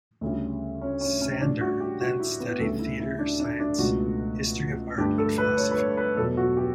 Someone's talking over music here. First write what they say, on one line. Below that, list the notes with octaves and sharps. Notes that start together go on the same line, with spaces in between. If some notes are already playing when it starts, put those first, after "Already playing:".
Sander then studied theatre science, history of art and philosophy.
D2 C#3 G3
C#4
C#4
C#4
A2 G3 D4
F#4
G4
F#4
E4
B3
D2 C#3 G3 A4
E4
E4
D4
D4
D4
C#2 B2 A3 F#4
G2 D3 A3 G4
A4
B4
C#5
B4
C#5
B4
E2 B2 F#3 A4
F#4
G4